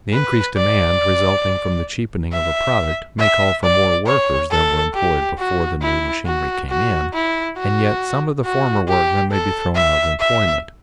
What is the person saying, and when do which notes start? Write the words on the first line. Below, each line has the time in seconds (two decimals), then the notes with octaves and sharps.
The increased demand resulting from the cheapening of a product may call for more workers than were employed before the new machinery came in, and yet some of the former workmen may be thrown out of employment.
0.13 B4
0.57 D5
2.32 E5
3.19 E5
3.63 D5
4.07 C#5
4.51 A4
4.94 G4
5.38 F#4
5.82 E4
6.26 F#4
6.70 F#4
7.13 E4
7.57 F#4
8.45 F#4
8.88 G4
9.32 A4
9.75 E5
10.19 E5